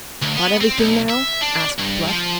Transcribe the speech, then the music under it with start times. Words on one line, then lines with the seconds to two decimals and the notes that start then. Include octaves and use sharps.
"Got everything now?" asked Bluff.
0.22 D2
0.36 B3
0.61 C4
0.78 B1
1.09 E5
1.42 D4
1.79 G2
2.08 F3